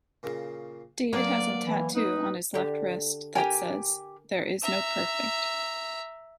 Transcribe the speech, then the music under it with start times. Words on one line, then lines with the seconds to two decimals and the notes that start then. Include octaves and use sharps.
David has a tattoo on his left wrist that says "There Is No Perfect".
0.23 A#2 C#3
1.13 D3 F#3 A#3 B3 D5
1.64 E3
1.94 D#4 B4
2.54 D3 G4
3.35 G4 A#4 G5 G#5 A#5
4.62 E5 A#5